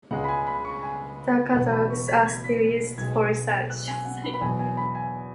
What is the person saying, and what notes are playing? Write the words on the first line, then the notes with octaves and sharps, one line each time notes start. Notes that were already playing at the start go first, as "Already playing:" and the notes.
The catalogs are still used for research.
C#2 C#3 G#3 F#5
B5
G#5
B5
C#6
G#5
E1 E2 B2 F#5
B5
C#6
B6
G#6
B6
B1 B2 G#3 G#6
F#6
G#5
F#5
B5
B5
E2 B2 F#3 G#5
G#5
B5
G#5